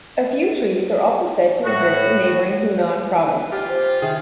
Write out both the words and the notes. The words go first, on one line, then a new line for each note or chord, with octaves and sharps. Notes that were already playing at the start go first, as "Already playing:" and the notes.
A few trees are also said to exist in neighboring Hunan Province.
A2 F#4
B4
F4 G4
C5
D#3 G#4 E5